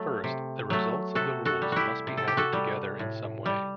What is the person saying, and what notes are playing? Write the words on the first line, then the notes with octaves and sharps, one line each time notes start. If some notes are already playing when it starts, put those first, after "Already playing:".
First, the results of the rules must be added together in some way.
Already playing: F#3 A3
C3
F#3 A3
C3 F#4 A4
F#4 A4
G3
E4 F#4 G4
C3
A4
G4
F#4 A4
G3
A2
G3